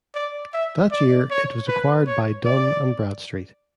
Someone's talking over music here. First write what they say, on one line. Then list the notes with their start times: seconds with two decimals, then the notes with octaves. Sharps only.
That year, it was acquired by Dun and Bradstreet.
0.15 D5
0.53 E5
0.92 D5
1.30 C#5
1.68 B4
2.07 C#5
2.45 D5